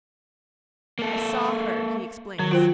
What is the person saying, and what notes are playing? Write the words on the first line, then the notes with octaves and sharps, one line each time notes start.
"I saw her," he explains.
A#3 A4
D#3 F#3
F4 C5 G5